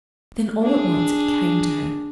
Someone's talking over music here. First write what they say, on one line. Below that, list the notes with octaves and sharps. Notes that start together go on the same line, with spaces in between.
Then all at once it came to her.
D4 G#4